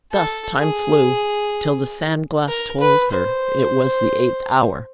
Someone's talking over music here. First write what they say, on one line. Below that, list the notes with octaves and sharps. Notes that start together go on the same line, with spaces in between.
Thus time flew, till the sand-glass told her it was the eighth hour.
A4
G#4
A#4
B4
C5